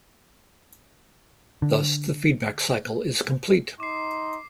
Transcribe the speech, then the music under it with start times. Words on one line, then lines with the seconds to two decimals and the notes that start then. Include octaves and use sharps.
Thus the feedback cycle is complete.
1.62 D3
3.80 D#4 C6 D6 C7